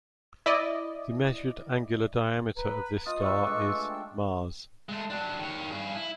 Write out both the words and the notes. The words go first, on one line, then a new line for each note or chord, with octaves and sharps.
The measured angular diameter of this star is mas.
E4 D5 D#5
B4 A#5
F4 D#5 D#6
G3 B4 C#6 E6
G#3 A3 D4
G5
G#3 A3
F#3 D4
D#3 C#5
G2 G#4
E4